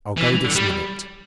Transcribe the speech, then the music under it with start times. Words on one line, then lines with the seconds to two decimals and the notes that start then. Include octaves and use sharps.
I'll go this minute.'
0.17 E3
0.55 G3